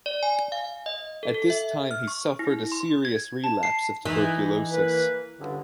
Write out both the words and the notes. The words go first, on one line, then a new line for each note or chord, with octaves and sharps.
At this time he suffered a serious relapse of tuberculosis.
D5
G#5
F5
D#5
A4
A4
E5
F6
C#6
E4
C6
G#6
A5
C7
E3 D#4
A#3 B4
C#2 G2 D3